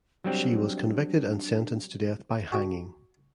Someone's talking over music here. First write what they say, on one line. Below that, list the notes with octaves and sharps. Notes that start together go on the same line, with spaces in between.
She was convicted and sentenced to death by hanging.
F#3 G3 C4 D4
F#4 G#4 D#5 G5